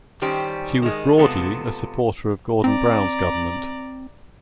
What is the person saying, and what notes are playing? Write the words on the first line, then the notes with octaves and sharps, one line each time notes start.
She was broadly a supporter of Gordon Brown's government.
D#3 G3 C#4 G4 C5
D#3 G#3
C3 G#3 B3 F4 A4
C4 D5 A#5